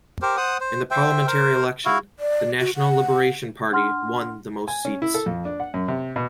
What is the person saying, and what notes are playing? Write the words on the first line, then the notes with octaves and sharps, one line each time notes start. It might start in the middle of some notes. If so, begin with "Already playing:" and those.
In the parliamentary election, the National Liberation Party won the mosts seats.
G4 A#4 C5
C5 F#5 D#6
C5
C5 E5 G5
A#4 C5
E4 F#4 E5 F5
D5
F#4
F#5
D4 F#5 C6 F6
G#5
C#4
E4
A4
F2
D4
F#5
F#2
C3
B2